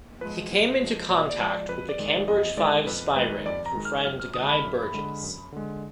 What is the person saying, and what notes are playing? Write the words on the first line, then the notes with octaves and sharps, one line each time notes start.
He came into contact with the Cambridge Five spy ring through friend Guy Burgess.
F3 G#3 B4
A#2
F3 G#3
A#2 D5
D5
F3 G#3
D5
F2 B4
D5
D#3 G#3
D5
F2 D#5
D#3 G#3 D5
F2 B4
D#3 G#3 B4
F2 D5
A#5
D#3 G#3
F6
F#2 F6
F6
D3 D#6
G#3
B5
F#2
D3 G#3
F#2
D3 G#3